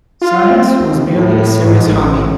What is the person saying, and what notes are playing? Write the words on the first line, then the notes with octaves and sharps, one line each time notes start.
Science was merely a serious hobby.
F4
C4
D#2
A2
G#2
A1